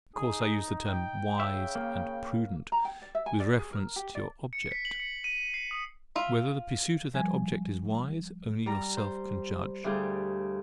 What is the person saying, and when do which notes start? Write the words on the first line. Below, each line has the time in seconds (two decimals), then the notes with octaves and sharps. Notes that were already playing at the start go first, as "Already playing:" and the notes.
Of course I use the terms "wise" and "prudent" with reference to your object. Whether the pursuit of that object is wise, only yourself can judge.
0.16 D#4 G#4
0.87 G5
1.40 C#3 E5
1.75 A#3
2.72 A#5
2.85 G5
3.02 D5
3.15 E5
3.26 G#5
3.40 D5
3.59 G#4
3.73 A#4
3.96 G4
4.15 D5
4.53 C#7
4.71 B6
4.85 F#7
5.00 C#7
5.24 D#7
5.54 C7
5.71 D#6
6.15 F4 E5
7.14 F3 G3 G#5 G#6
8.66 G3 A#5
8.97 C5
9.84 D2 G3 F4 G4 G#4